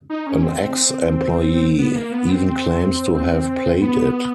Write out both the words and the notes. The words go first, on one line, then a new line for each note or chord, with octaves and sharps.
An ex-employee even claims to have played it.
D#4
C#4
C4
B3
A#3
B3
C4
C4
B3